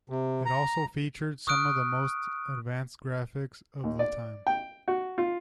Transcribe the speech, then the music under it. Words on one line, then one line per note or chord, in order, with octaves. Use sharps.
It also featured some of the most advanced graphics of the time.
C3
A#5
C#6 D#6 F6 F#6 D7
D#2
D5
G5
F#4
F4